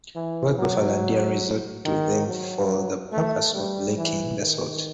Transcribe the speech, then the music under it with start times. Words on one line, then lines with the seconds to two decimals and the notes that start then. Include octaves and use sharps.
Both buffalo and deer resort to them for the purpose of licking the salt.
0.16 E3
0.59 F#3
1.85 D#3
2.27 F#3
3.12 A3
3.55 G3
3.97 E3
4.39 D#3